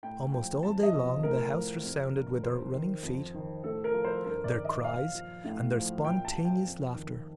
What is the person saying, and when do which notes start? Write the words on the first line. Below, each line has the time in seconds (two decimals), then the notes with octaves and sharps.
Almost all day long the house resounded with their running feet, their cries, and their spontaneous laughter.
0.03 A2 G5
0.32 F3 G5
0.63 F2 A5
0.83 D#5
0.93 C3 F3
1.23 A2 A#4
1.53 F3
1.83 F2
2.13 D3 F3
2.44 F2 C5
2.74 D#3
3.03 F2
3.34 D#3
3.64 A2 A4
3.84 A#4
3.94 F3
4.05 C5
4.25 G2 A#4
4.44 D5
4.54 D#3
4.64 D#5
4.84 A#2 F5
5.15 F3
5.44 A2
5.75 F3
6.05 A#2 G5
6.25 A5
6.35 F3
6.45 G5
6.65 F2
6.95 D#3